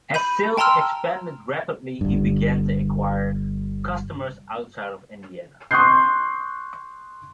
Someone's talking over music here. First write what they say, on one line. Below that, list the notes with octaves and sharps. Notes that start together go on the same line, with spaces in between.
As sales expanded rapidly he began to acquire customers outside of Indiana.
B5 G6 D#7
G5 A5 A#5 C6 E6 F6
G1 G2
C6 C#6 D#6 F#6 G6 C7